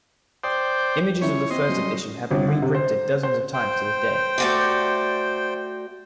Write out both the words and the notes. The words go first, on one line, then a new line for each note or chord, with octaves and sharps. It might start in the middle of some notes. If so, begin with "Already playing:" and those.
Images of the first edition have been reprinted dozens of times to this day.
C5 D5 G5 D#6
F3 C#4 E4 C#5
C4 D#5 C6
F#3 G3 C#4
G1
D3
C3
C5
C5
C5 G5
A3 F#4 D5